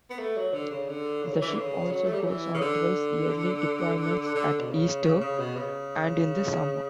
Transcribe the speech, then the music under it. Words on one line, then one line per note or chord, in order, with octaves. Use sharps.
The ship also goes on twice yearly deployments, at Easter and in the summer.
B3
A3
F#3
D3
C#3
D3
C#3
F#3
E3
D3
C#3
F#3
A3
G3
F#3
E3
C#3
D3
D3
B2
C#3
C#3
C#3
B2
C#3